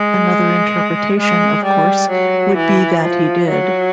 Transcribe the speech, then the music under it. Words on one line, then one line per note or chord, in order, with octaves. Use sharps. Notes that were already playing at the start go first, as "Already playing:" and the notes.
Another interpretation, of course, would be that he did.
Already playing: G#3
G#3
G3
F#3
E3
F3
F#3